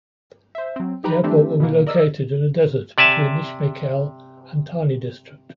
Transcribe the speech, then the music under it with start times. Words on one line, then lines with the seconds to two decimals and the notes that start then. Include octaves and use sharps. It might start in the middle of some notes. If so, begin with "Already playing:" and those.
The airport will be located in a desert between Ismailkhel and Tani District.
0.55 C5 E5
0.76 F#3 C4
1.04 D#4 G4 B4 A#5 B5
1.23 E3 A3 C4 D4 G4
1.60 B2 E3 A#3
1.87 A#4 D5 D#5 E6
2.98 C3 D5 E5 G#5 A5